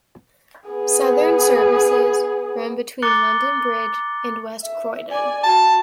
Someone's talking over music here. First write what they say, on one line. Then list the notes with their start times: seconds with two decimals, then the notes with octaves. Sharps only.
Southern services run between London Bridge and West Croydon.
0.69 B3 G#4
3.02 A#5 D6 F#6 A6 C#7 G7
4.61 E5
5.10 D5 G#5
5.44 F#4 A5